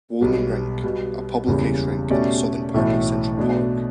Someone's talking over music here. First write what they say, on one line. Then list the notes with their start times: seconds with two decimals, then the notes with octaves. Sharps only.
Wollman Rink: A public ice rink in the southern part of Central Park.
0.21 B1 B2 G3 B3
0.83 B2 G3 B3
1.47 F#1 E2 C#3 G3
2.10 B2 A3 C#4 G4 D5
2.74 B1 A2 E3 A3
3.37 B2 A3 D4